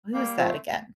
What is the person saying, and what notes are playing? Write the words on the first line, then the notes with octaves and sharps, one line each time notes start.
Who is that again?
G3 A#3
F3 A3 C4